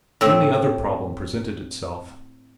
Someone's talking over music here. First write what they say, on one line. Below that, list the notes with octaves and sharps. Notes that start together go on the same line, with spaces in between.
Then the other problem presented itself.
A2 C4